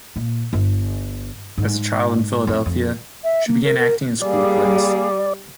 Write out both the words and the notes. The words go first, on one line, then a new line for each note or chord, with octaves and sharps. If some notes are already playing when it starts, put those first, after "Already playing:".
As a child in Philadelphia, she began acting in school plays.
A#2
G1
G#2
F2
F2
E5
A#3
A#4
A#4
G3 A#3 G#4 D5